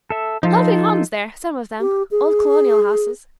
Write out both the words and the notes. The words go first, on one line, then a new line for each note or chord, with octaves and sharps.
Lovely homes there, some of them,--old colonial houses.
A4 E5
F3 D#4 F4 A4
G4
G#4